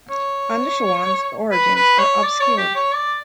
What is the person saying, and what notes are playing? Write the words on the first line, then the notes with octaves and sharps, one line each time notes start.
Anushirwan's origins are obscure.
C#5
B4
B4
C#5
D5
C#5
G4
C#5
D5